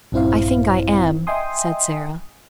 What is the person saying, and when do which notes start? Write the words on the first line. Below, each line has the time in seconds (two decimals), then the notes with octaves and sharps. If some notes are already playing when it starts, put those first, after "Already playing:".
"I think I am," said Sara.
0.12 A#1 G2 C4 E4 C5 F5
1.27 D#5 E5 G5 G#5 C6 D#6